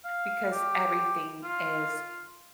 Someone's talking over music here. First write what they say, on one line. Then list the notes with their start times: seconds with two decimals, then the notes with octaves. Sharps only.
because everything is
0.04 F5
0.52 G4
1.43 F4